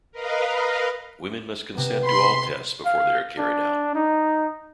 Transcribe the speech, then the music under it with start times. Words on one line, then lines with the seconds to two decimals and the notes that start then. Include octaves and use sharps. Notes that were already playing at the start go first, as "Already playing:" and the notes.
Women must consent to all tests before they are carried out.
0.12 A#4 B4 D#5 F5
1.75 C3 B3
2.06 B5 C6
2.85 F5
3.38 D4
3.95 D#4